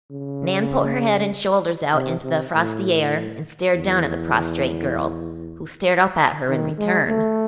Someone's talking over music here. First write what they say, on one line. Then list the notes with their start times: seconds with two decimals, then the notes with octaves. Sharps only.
Nan put her head and shoulders out into the frosty air and stared down at the prostrate girl, who stared up at her in return.
0.12 C#3
1.94 C3
2.24 C3
2.55 A2
3.75 E2
6.49 D#3
6.78 G#3
7.09 A3